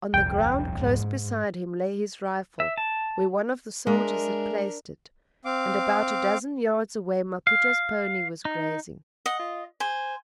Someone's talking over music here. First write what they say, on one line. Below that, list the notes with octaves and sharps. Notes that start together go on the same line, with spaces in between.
On the ground close beside him lay his rifle, where one of the soldiers had placed it, and about a dozen yards away Maputa's pony was grazing.
D#1 C2 F2 G5
G#2
E5
A5
G#3 D4 A#4 E5
C4 F5 D6
F5
D#4
D#5 F#5
F4
C5 G#5